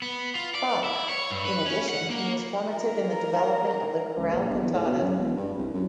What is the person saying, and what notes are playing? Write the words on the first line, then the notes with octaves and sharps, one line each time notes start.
Bach; in addition he was formative in the development of the chorale cantata.
B3
F4
D5
E4
C#5
G2
B4
C#4
F#5
A#3
A#4
C#2
A#1
G1
E2
A2
B2
F#2
E1
G2
C2
F#2